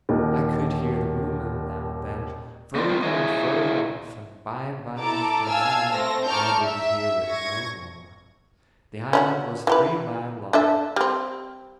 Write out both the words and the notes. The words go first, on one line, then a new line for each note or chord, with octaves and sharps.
I could hear the booming now and then, further and further off, and by and by, after an hour, I didn't hear it no more. The island was three mile long.
D#1 D#2 D#3
B3 C4 D#4 F4 D5
G3 B3 C4
E4 G#4 C#5 D#5
E4 A4 A5 A#5 D6
F5 G#5 A5 E6 F6 G#6
A3 C4 A4 A#6
A5 A#5 C#6 D6 F6 G6
E5
C#6 G#6 A#6
C#4 E4 F#4
E3 G4 B4
D4 A4 E5
G3 C4